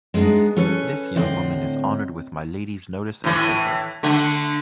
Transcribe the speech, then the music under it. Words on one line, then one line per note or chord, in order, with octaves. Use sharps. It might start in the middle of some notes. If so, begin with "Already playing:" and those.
This young woman is honoured with my Lady's notice and favour.
G#3 A3 B3 D4 D#4
C#4 A4 B4 C#5
A2 D3 C4 D#5
A2 E3
D3 A3 D4